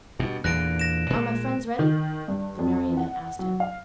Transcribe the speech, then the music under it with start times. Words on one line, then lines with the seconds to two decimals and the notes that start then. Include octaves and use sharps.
"Are my friends ready?" the Marionette asked him.
0.19 G2 B2
0.44 E2 A#2 D3 F#6 A#6 D7
0.79 A#6 E7
1.10 A#2 G#3
1.79 D#3
2.28 G2
2.59 F2
2.97 F#5
3.39 F#3
3.60 F5